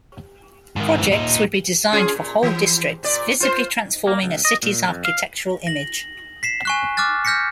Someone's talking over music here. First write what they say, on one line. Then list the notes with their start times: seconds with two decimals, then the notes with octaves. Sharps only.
Projects would be designed for whole districts, visibly transforming a city's architectural image.
0.76 G#2 D#3
0.98 G#2 E3
1.12 A#2 D#4
1.92 C#4 F4 G#4
2.15 A#2
2.43 E3
3.03 A#2 D5
3.40 F4 C5
4.07 A#3
4.23 C#2
4.45 D#5
4.63 A#2
4.88 F2
5.05 F5
5.67 A#6 F#7
6.43 B6 C7 E7
6.65 G#5 C#6 F#6
6.97 D6 F6 F#6 A6
7.25 F6 G6 A#6 B6 C#7